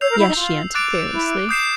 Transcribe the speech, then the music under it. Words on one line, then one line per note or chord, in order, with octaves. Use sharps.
"Yes," she answered fearlessly.
C#5 E6 G6 C7 F7
A#4
E4
D#4
F4
D6 F#6 A6 D7 F7
E4
D#6 G6 C7 E7